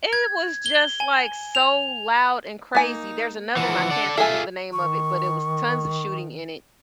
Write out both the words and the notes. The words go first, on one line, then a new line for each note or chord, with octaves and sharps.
It was just, like, so loud and crazy, there's another one, I can't think of the name of it, but it was tons of shooting in it.
G#6
G7
G#5
F7
A#3 D#4 G#5
E3 F3 F#5
A4 D5
F4 G#4 A4 E5 G#5
D#3 C#6